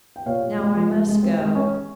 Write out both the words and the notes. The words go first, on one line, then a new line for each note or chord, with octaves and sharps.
'Now I must go.
G5
A#2 C#5 F5
A#2
G#3
F3
G#3
G#3
C4
G#3
C#4